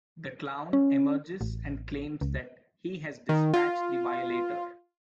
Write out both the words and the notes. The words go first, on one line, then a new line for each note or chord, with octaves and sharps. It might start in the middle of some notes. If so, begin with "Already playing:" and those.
The Clown emerges and claims that he has dispatched the Violator.
C#4
A1
C#2
D#3
F4